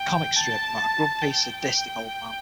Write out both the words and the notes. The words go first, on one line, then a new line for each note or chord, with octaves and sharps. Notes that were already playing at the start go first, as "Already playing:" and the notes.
Comic strip about a grumpy, sadistic old man.
Already playing: G5
A5
G5
G5